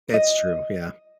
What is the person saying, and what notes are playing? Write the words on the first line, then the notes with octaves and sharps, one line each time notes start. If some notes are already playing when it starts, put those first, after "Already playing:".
That's true, yeah.
D#5